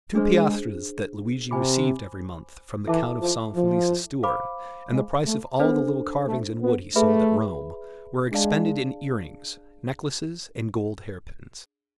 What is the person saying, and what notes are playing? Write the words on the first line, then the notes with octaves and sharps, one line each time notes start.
The two piastres that Luigi received every month from the Count of San-Felice's steward, and the price of all the little carvings in wood he sold at Rome, were expended in ear-rings, necklaces, and gold hairpins.
G#3 D4 G#4 C5
C3 C5 G#5 B5 D6
E3 E4 A4 E5 A5 D6
F3
F3
C5 F5 B5 D6
G#3
A3
B3 D4 A4 C5
A3
B3
A3 G#4 B4 E5 B5
G#3 D4 G#4 D5 F5 A5